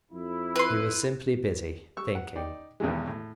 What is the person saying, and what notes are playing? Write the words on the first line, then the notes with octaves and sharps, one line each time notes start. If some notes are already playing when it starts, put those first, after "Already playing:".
He was simply busy--thinking.
F2 E4
B4 C6
G3 C#6 E6
F#5
D#4 D5 G5
B1 E2 G#2 D#3 E3 G#3
A2